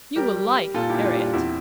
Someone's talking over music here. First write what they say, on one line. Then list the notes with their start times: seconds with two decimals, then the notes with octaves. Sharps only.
You will like Harriet.
0.16 G3 G4 A#4
0.35 G3
0.55 G3
0.74 A#2 F4 A4
0.89 E4 G4
0.94 A#2
1.04 D4 F4
1.14 G3 D4 F4
1.33 E2 C4 E4